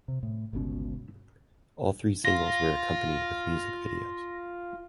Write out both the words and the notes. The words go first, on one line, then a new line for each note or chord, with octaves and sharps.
All three singles were accompanied with music videos.
C3
A2
G1 C#2 B2 C#4
F4 A#6